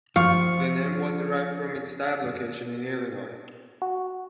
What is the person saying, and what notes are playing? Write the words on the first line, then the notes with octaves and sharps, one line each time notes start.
The name was derived from its type location in Illinois.
F3 F5 C#6
F#4